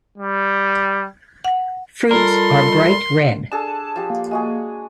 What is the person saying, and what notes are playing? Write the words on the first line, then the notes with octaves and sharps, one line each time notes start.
Fruits are bright red.
G3
F#5
G3 F4 A4 A#4 D#5 B5 C6
D4 G#4 A4 A5
F3 G4
A#3
G#3 F#4 G#4